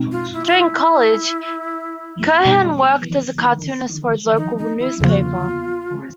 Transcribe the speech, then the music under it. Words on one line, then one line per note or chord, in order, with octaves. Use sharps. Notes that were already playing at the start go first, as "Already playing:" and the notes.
During college, Cohen worked as a cartoonist for his local newspaper.
Already playing: B2 G#3 C4 D#4
F4
E4
F4
E4
B2 G3 B3 D#4
D#4
D#4
E4
E2 C#3 F3 A#3 F4
F#4
F4